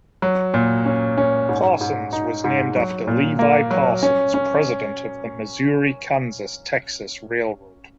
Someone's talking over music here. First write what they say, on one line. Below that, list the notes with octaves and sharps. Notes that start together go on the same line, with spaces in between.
Parsons was named after Levi Parsons, president of the Missouri-Kansas-Texas Railroad.
F#3
A#2
C#4
C#4
G#2
G#2
D#4
G#2
F#3
A#2
A#3
F#3
C#4
C#4